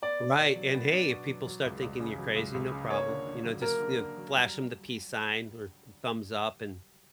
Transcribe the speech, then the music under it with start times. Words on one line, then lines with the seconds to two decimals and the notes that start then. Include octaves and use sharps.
Right, and, hey, if people start thinking you're crazy, no problem. You know, just you know, flash them the peace sign or th thumbs up, and
0.02 B3 D5
0.20 D4
0.38 B2
0.56 F#3
0.74 B3
0.92 D4
1.10 B2
1.28 F#3
1.47 F#3
1.65 C#2
1.82 C#2
2.00 C#3
2.18 F#3
2.36 C#2
2.54 C#2
2.72 C#3
2.90 A#3 C#5
3.08 D3
3.27 D3
3.44 F#3
3.62 A#3 A#4
3.80 D3
3.98 D3
4.17 F#3
4.34 G3